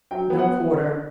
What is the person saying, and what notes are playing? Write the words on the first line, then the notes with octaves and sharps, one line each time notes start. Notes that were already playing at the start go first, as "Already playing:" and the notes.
No quarter.
F#3 G5
B3
F#5